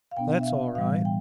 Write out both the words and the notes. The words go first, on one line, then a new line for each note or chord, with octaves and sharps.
That's all right.
F5
B2 B3 D4 G5
E5
F5
A2 E3 G3 F5
G5